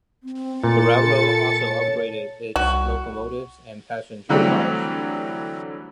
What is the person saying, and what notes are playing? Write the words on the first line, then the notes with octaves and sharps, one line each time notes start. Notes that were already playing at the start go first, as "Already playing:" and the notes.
The railroad also upgraded its locomotives and passenger cars.
C4
A#2 F4 A4 A6 C#7
C#5
C2 F#4
D3 E3 F#3 G3 A3 C4